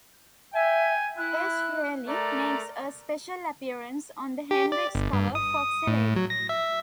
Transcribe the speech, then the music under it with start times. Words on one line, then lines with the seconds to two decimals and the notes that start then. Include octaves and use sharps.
Ace Frehley makes a special appearance on the Hendrix cover "Foxy Lady".
0.54 E5 G5 G#5
1.17 E4 F#6
2.08 A3 A#4 D5 A#5
4.51 G4
4.72 D5
4.95 G1
5.13 G2
5.35 D#6
5.87 A2
6.16 F#3
6.30 A#6
6.49 E5